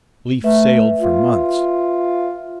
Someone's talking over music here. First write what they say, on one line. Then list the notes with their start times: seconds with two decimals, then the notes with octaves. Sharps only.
Leif sailed for months.
0.44 A3 B4 E5
0.99 F4